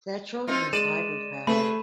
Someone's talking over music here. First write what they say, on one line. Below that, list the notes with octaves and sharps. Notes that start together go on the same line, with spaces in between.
Their children side with her.
C4 D#4 F4
G#3 D5 D#7 E7
C3 A3 G#4 B4 B5